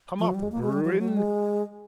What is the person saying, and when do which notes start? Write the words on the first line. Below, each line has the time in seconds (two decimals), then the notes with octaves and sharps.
Come up, Bruin!
0.19 F3
0.27 F#3
0.35 G3
0.43 G#3
0.52 A#3
0.62 G#3
0.73 G3
0.84 F#3
0.92 F3
0.99 F#3
1.08 G3
1.17 G#3